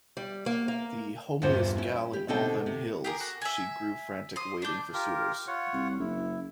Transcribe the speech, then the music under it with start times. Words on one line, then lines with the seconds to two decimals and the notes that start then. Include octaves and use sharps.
The "homeliest gal in all them hills," she grew frantic waiting for suitors.
0.17 G3
0.46 A#3
0.68 A#3
1.42 E2 G2 A#2 B3 C5
1.78 C#4 E4
2.13 G4
2.28 B2 D3 C4 D#4 A4 G5
2.66 C3
3.04 G4 G#4 A#4
3.20 F#4
3.41 E5 G#5
4.36 C5 D#6
4.62 D4 G6
4.94 F4 G4 A#4
5.48 F4 C#5 F#5
5.73 C2
5.99 F#1 E4